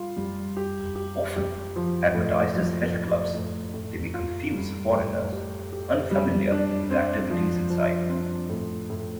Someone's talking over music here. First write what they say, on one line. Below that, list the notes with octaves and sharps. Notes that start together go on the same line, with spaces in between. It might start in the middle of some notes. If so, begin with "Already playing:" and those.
Often advertised as "health clubs", they may confuse foreigners unfamiliar with the activities inside.
Already playing: G3 F4
G3
G4
G4
G4
F3
A2
F3
A2
A2
A2
F4
G3
A2
G4
G4
G3
D4
C4
F3
F3
C4
A2
A2